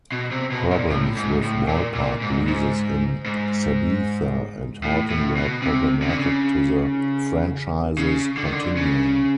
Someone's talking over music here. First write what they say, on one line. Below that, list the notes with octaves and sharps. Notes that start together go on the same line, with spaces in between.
Problems with ballpark leases in Sabetha and Horton were problematic to the franchises continuing.
B2
C3
B2
A#2
A2
G#2
A2
A#2
A#2
G#2
G#2
G#2
A2
A2
B2
C3
C#3
D3
C#3
C#3
D3
D#3
D3
C#3